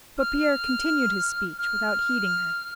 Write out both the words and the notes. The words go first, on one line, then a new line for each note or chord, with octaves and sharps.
But Pierre continued his speech without heeding her.
F6
F6